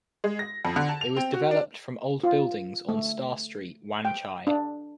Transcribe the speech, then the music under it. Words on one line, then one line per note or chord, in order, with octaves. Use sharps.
It was developed from old buildings on Star Street, Wan Chai.
G#3
A#6
F2
D3
A5
F7
C4
F#4
D4
F4
A3
G5
D4